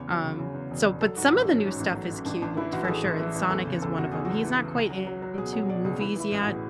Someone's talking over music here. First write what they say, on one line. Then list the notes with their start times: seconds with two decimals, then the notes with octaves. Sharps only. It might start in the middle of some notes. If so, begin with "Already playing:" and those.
um, so, but some of the new stuff is cute, for sure, and Sonic is one of 'em, he's not quite into movies yet,
Already playing: E2 C#3 C#5
0.08 F#3
0.24 C#3
0.39 C#3
0.54 E2
0.71 E1
0.85 E1
1.01 F#3 A4
1.17 G#2 F#4
1.32 A1
1.48 F#3 C#4
1.64 G#2
1.80 A1
1.95 F#3
2.11 A1
2.26 A1 D4
2.42 A1 D4
2.57 E3 E4
2.73 A1 F#4
2.84 A4
2.88 A1 G#4
3.04 A1
3.20 E3
3.35 A1
3.50 E2 A4
3.67 C#3
3.81 E2 A4
3.98 C#3 F#4
4.12 E2 G#4
4.25 E2 F#4
4.44 E3
4.59 E3
4.75 C#2
4.90 F#3
5.07 F#3
5.22 F#3
5.38 B2 G#4
5.53 F#3 C#5
5.69 B2 D5
5.84 C#2 G#4
6.00 E3 E4
6.16 E3 E4
6.31 A1 G#4
6.41 F#4
6.47 A2